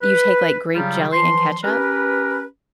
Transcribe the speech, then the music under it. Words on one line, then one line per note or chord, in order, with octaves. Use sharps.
you take, like, grape jelly and ketchup
B4
C#3 F#3 G3 F4 G#4
E3 F3 C6
C#4 G4 A#4 B4